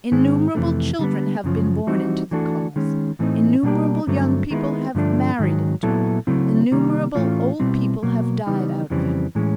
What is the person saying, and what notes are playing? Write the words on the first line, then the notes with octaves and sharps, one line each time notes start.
Innumerable children have been born into the cause; innumerable young people have married into it; innumerable old people have died out of it.
G#2 D#3 G#3 C4
F2 C3 E3 A3
D3 G3 B3
F#2 C#3 F3
E3 G3 C4 D#4 F#4
E3 A3 D4 F#4 A4
D#3 G#3 C#4
A2 E3 A3 C4 D#4
B2 G3 A#3 D4 G4
G2 D3 F#3 A3 C4
D#3 G#3 B3 E4
G2 D3 F3 A3 D4
G#2 D#3 F#3
A#2 F#3 B3 E4 A4
C#3 F#3 A3 C4 E4
C3 D#3 G3 A#3
A2 E3 A3 C#4 F4
B2 G3 C4 E4
B2 F#3 A#3
C#3 E3 G3 B3 D#4
F2 C#3 E3 G3 C4
A2 E3 G#3 C#4